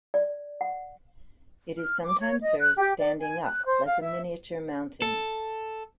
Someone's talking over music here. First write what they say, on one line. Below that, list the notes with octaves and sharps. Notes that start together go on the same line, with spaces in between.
It is sometimes served standing up like a miniature mountain.
D5
F#5
F6
D6
C#5
D#5
F#6
G4
D5
G#5
F#6
C5
F5
E5
A4